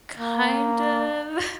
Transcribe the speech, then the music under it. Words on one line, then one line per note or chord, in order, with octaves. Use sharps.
Kind of,
A#3